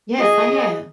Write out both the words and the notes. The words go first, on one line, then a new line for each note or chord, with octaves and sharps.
Yes, I have.
G#4 D#5